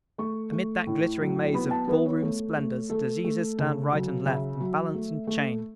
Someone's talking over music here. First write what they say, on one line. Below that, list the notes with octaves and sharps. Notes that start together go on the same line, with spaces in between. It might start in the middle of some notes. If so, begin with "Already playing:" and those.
Amid that glittering maze of ball-room splendors, diseases stand right and left, and balance and chain.
A3 C#6
A3
A2
F#3
B3 B5
A5
B3 B4
C#5
A3
A3
A3 A4
A3
C#3
F#3
C#3 E5
F#3
A3
A3